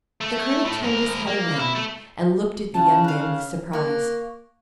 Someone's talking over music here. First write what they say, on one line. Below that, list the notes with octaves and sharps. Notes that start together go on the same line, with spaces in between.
The colonel turned his head round, and looked at the young man with surprise.
A3
A2 A3
G#2 A#4
A#3
E4
A3
C#3 A5
F5 F#6
A#3 C#6 F#6